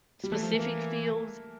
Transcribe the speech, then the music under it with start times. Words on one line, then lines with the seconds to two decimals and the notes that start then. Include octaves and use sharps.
specific fields?
0.23 G3
0.32 E3 A3
0.42 F3
0.53 E3
0.59 A#3